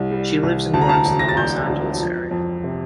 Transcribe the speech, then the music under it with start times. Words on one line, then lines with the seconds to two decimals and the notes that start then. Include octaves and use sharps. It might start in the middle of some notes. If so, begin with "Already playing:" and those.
She lives and works in the Los Angeles area.
Already playing: C2 G3
0.11 G3
0.43 C2
0.73 D2 A5
0.81 A#5
0.89 A5
1.05 E1
1.19 A#6
1.29 A6
1.37 E1 G6
1.68 D2
2.00 F2
2.31 F2
2.64 C3